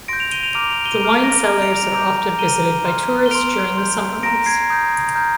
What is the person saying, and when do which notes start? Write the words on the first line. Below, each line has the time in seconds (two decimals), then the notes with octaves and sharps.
The wine cellars are often visited by tourists during the Summer months.
0.08 C6 G6 A#6 D7
0.20 D7 F7
0.32 D#7 G7
0.43 D7 F7
0.54 A#5 D6 F6 D7 F7
0.70 D7 F7
0.85 D#7 G7
1.01 A#5 D6 F6 D7 F7
1.24 A#6 D7
1.47 A#5 F6
1.62 D7 F7
1.77 D7 F7
1.93 A#5 D6 G6
2.39 A#5 F6 D#7 G7
2.85 C6 F6
3.26 G7
3.31 C6 F6 D7 F7
3.77 C6 G6
4.23 A#5 F6 A#6 D7
4.46 G#6 C7
4.69 A#5 D#6 G6
5.15 A#5 F6 G6